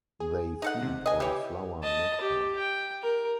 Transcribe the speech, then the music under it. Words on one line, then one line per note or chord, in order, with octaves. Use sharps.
They feed on flower nectar.
G#4
D#4 A4 F#5
C3
D#5 G#5
E3 G4 C#5
D#5 A5
G4
G5
A#4